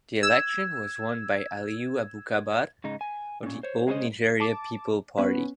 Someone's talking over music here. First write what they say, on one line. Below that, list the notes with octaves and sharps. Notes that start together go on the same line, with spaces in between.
The election was won by Aliyu Abubakar of the All Nigeria Peoples Party.
E6 G#6
G#2 C#3 D#4
G#5
A#2 C#4
C5 C#5
G#3 A#3 C#4 D#4 C5 D#5
A5 D6
B3 C#4 B4